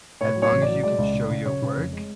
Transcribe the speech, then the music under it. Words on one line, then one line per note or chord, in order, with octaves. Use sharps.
as long as you can show your work
A2 C#5
F#3
C#5
A1
D5
F#3
G#3 D5
C#2
C#3
C#3
C#3 C#5
C#3
F1
G#3